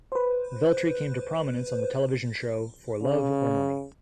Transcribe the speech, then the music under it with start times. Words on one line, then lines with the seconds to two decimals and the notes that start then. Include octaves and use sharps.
Veltri came to prominence on the television show, "For Love or Money".
0.12 B4 C5
3.02 C#3